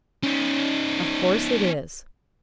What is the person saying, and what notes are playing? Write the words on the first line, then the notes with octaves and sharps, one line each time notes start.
"Of course it is."
C#4 D#4